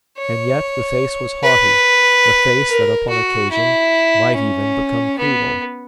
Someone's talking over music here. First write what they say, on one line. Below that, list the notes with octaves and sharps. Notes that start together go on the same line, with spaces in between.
And yet the face was haughty, a face that upon occasion might even become cruel.
C#5
B4
A#4
F#4
E4
C#4
B3